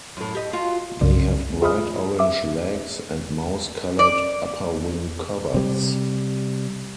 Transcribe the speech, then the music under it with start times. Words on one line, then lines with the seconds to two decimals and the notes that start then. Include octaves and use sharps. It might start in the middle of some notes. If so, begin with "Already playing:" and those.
They have bright orange legs and mouse-coloured upper wing-coverts.
0.17 F#2 A2
0.35 G4 D#5
0.53 F4 F#4
1.01 C2 G2 C#3 D5
1.62 F4 G#4 E5 B5 D#6 F6
2.19 E5 D6
3.99 D5
5.54 C3 G3